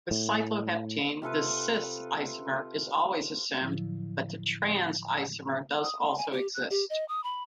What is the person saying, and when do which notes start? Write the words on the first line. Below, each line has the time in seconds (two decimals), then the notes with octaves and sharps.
With cycloheptene, the "cis"-isomer is always assumed but the "trans"-isomer does also exist.
0.11 A2
1.22 C3 F4 A4 B4
3.60 A2 D3 F3 F#3 E4
5.84 D#6
6.03 C6
6.17 G#5
6.32 G4
6.54 F#6
6.70 G4
6.90 D#5
7.08 D#6
7.24 B5